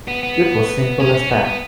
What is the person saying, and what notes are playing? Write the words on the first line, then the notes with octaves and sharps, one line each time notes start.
It was simple as that.
B3
B3
C#4
C#4
B3
B3